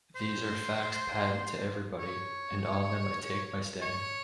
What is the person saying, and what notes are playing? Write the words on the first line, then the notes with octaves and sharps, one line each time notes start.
These are facts patent to everybody, and on them I take my stand.
C5
C#5
C#5